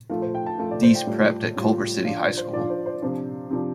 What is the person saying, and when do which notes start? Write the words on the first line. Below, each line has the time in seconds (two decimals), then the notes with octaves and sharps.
Deese prepped at Culver City High School.
0.10 F3 A3 F4 F5
0.22 C5
0.35 G5
0.46 A5
0.58 F3 A3 F4 F5
0.71 D5
0.83 C5
0.95 G5
1.07 A2 G3 F4
1.56 A2 G3 F4
2.05 F3 D4 F4 F5
2.21 D5
2.37 C5
2.53 F3 D4 F4 D5
2.70 C5
2.86 C5
3.02 C3 F3 D4 C5
3.50 C3 F3 D4